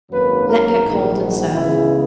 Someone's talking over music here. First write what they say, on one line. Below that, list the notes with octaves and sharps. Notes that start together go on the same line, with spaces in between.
Let get cold and serve.
G#1 F#2 D#3 F#3 A#3 B4
A#4
A#1 G#2 D#3
F#4
C#2 C#3 E3 G#3 B3 E4